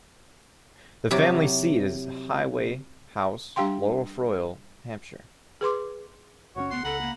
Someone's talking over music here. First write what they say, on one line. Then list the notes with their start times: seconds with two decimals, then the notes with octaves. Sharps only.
The family seat is Highway House, Lower Froyle, Hampshire.
1.11 C3 F#3 E4 G4
3.56 G3 D4 G4 F5 G5 C6
5.61 G#4 B4 C6 D6
6.56 F#1 A2 C#4 F#4 C#5
6.71 D2 B3 F#5 C6
6.85 C#2 A4 F#5 A#5 B5
7.01 A#3